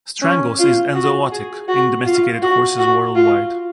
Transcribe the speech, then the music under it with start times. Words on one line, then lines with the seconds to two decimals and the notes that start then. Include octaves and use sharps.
Strangles is enzootic in domesticated horses worldwide.
0.22 C#4
0.59 F4
0.95 F#4
1.32 G#4
1.68 F#4
2.06 F4
2.42 F#4
2.79 F#4
3.15 F4